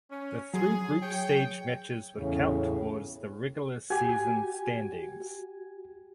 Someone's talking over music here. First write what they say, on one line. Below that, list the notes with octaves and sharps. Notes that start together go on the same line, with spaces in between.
The three group stage matches would count towards the regular season standings.
C#4
F#3 G#4
G#4 C#5 G5
E2 A2 C#3 C#4
F#4 G4 G#5